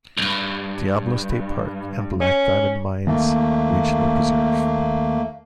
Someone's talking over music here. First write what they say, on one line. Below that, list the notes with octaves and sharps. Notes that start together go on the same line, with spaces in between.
Diablo State Park and Black Diamond Mines Regional Preserve.
C2 G2
C#4
D#2 A3 A#3